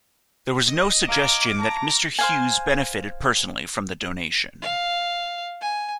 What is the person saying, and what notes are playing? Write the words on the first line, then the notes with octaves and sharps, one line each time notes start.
There was no suggestion that Mr Hughes benefited personally from the donation.
D#5
F5 A#5 D6 F6 G#6
A5 A#5
C5 F5 G#5
F5
G#5